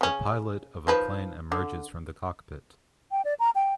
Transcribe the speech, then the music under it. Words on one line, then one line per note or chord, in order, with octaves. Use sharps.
The pilot of a plane emerges from the cockpit.
C#3 C#4
D#3 F3 B4
D3
G5
D5
A#5
G5